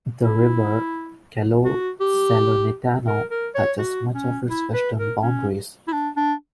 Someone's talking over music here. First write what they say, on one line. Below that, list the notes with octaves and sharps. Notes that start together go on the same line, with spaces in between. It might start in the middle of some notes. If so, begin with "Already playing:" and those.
The river Calore Salernitano touches much of its western boundaries.
E4
F#4
G4
A#4
A#4
C#5
F#4
C#4
E4
B4
A#4
C#4
E4
D4
D4